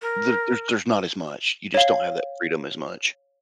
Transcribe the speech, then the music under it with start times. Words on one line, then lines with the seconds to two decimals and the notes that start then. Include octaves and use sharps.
there there's there's not as much, you just don't have that freedom as much.
0.02 A#4
1.74 C#5 F5